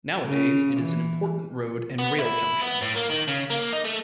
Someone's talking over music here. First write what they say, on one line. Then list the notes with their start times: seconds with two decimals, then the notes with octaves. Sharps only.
Nowadays it is an important road and rail junction.
0.24 C#3
0.80 E3
1.99 B3
2.19 E4
2.61 B3
2.81 A2
2.95 A#3
3.09 D#3
3.27 C#3
3.50 A#3
3.73 D#4
3.84 A3